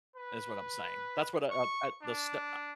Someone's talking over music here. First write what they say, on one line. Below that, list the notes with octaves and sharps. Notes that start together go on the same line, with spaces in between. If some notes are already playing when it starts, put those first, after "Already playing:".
That's what I'm saying. That's what, uh uh, the Sn uh,
B4
C#6
D4